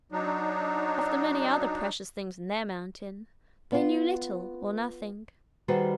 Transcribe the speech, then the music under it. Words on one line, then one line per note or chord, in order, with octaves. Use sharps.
Of the many other precious things in their mountain they knew little or nothing.
F#3 D4 D#4
B3 F4
D#3 G3 F#4 G#4 B4 C5